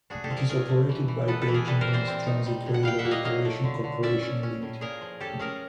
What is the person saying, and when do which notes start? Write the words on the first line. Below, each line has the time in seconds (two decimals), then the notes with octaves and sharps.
It is operated by Beijing Mass Transit Railway Operation Corporation Limited.
0.10 D4 F#4 G#4
0.24 G4 A4
0.30 F3
0.37 G#4 A#4
0.49 A3 G#4 A#4
0.69 A3
0.89 E3
1.08 E3
1.28 B3 A4 B4
1.42 A4 B4
1.48 E3
1.54 G#4 A#4
1.67 G3 A4 B4
1.81 A#4 C5
1.87 E3
1.93 C5 D5
2.07 C4
2.27 D#4
2.46 G3
2.66 A2
2.74 F#5
2.83 G3 F5 G5
2.99 E5 F#5
3.05 A#3
3.11 D#5 F5
3.25 F#3 D#5 F5
3.45 A3
3.64 D3
3.84 D3
4.03 C#4 D5 E5
4.22 C#4
4.43 C#4
4.62 A2
4.81 A#2 G#4 A#4
5.01 F3
5.20 C#4 G4 A4
5.39 C#4 G#4 A#4